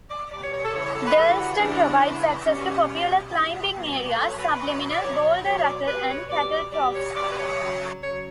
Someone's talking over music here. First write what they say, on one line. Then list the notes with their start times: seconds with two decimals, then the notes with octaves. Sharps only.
Durlston provides access to popular climbing areas, Subliminal, Boulder Ruckle and Cattle Troughs.
0.10 D5
0.32 B2 G3 D5
0.42 C#5
0.52 C#5
0.64 A4
0.74 C#3 E3 G3 C#5
0.85 C#5
0.95 A4
1.07 B4
1.16 C#3 E3 G3 A4
1.38 F#4
1.60 C#3 E3 G3 D4
2.02 C#3 E3 G3
2.45 B2 G3 C#4
2.88 B2 G3
3.30 B2 G3 E4
3.73 B2 G3
4.09 B4
4.16 B2 F#3 A4
4.27 C#5
4.37 B4
4.59 B2 F#3
4.91 D5
5.02 B2 F#3 C#5
5.44 B2 F#3 C#5
5.57 C#5
5.66 D5
5.87 B2 G3 B4
6.08 C#5
6.30 B2 G3 D5
6.51 D5
6.73 B2 G3 D5
6.94 C#5
7.15 B2 G3 D5
7.30 B4
7.37 C#5
7.58 C#3 F#3
8.00 C#3 F#3 C#5